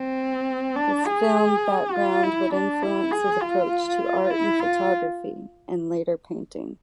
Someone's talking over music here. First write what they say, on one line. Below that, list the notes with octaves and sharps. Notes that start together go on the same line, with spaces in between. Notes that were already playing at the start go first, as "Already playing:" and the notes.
His film background would influence his approach to art in photography and later painting.
Already playing: C4
D4
G#4
F4
E4
D4
E4
G#4
F4
E4
F4